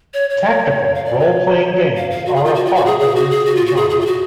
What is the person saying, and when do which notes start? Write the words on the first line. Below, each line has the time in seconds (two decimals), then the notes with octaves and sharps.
Tactical role-playing games are a part of this genre.
0.14 C#5
0.30 C#5
0.95 F5
1.05 D5
1.20 C#5
1.95 F5
2.11 F5
2.26 F#4
2.36 G#4
2.45 F4
2.55 F#4
2.65 F4
2.75 F#4
2.86 G#4
3.00 G#4
3.16 F#4
3.30 G#4
3.46 F#4
3.56 F4
3.66 F#4
3.76 G#4
3.90 G#4
4.00 F4
4.06 F#4